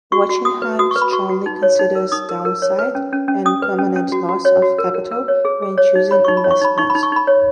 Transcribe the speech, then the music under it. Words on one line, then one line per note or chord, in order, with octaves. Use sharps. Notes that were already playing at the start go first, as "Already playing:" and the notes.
Wachenheim strongly considers downside and permanent loss of capital when choosing investments.
F#4 C#6
F#4
F#4 D#6
B4
F#4 D#6
B4 C#6
B5
F#4 C#6
F#4
D#4
C#5
D#4
A#4
D#4 D#6
A#4
A#4
C#5
B4
C#4
C#4
C#4
C#4 D#6
B4
C#4
C#4
F#4
F#4
C#5
F#4
A#4
A#4
A#4
C#5
G#4
G#4
C#5
D#4
C#5 B5
D#4 C#6
B5
C#5
C#6
D#4 B5
D#4 C#6
B5
D#4
C#6
D#4 B5
C#5